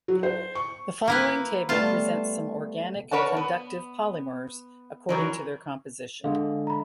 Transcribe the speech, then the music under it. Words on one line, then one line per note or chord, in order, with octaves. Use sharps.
The following table presents some organic conductive polymers according to their composition.
F#3
C5
C#6
A#3 E4 B4
G3 A3 B3 F4 A5
A#4 B4 C#5 F#5 A5
B3
E3 F#3 A#4
D3 G#3 F5
A#5 B5